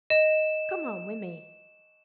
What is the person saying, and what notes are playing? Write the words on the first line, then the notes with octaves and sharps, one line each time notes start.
Come home with me.
D#5 E7